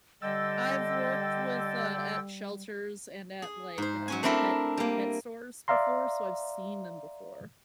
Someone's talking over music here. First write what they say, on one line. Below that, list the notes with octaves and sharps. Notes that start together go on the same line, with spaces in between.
I've worked with, uh, at shelters and at, like, uh, pet pet stores before, so I've seen them before.
D3 G3 D#5 G5 E6 A6
G#4
G#2 C5
F#3 C#4 G#5
A3 C4 D4 E4 A#4 E5
G3 A#3
D5 E5 F5 A#5 C6